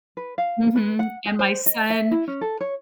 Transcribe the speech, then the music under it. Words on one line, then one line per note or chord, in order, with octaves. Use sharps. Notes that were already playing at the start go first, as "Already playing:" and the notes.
Mhm, and my son
B4
F5
B4
F#5
G4
C5
D#5
E5
E4
C#4
A4
C#5